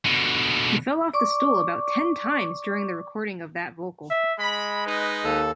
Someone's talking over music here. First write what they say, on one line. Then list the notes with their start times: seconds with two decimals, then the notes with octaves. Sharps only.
He fell off the stool about ten times during the recording of that vocal.
0.06 B2 D3
1.14 D5 C#6 D6
4.10 E5
4.40 G#3 B5
4.85 D#4 B4
5.25 D#2 A4